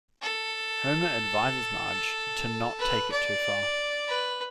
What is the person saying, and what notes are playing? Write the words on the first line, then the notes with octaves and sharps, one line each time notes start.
Homer advises Marge to not take it too far.
A4
B4
D5
B4